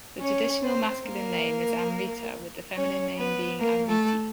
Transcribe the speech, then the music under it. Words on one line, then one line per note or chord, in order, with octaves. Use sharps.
The traditional masculine name is Amritha with the feminine name being Amrithi.
C#4 C#5
C4 C5
A#3 A#4
C#4 C#5
B3 B4
A#3 A#4
A3 A4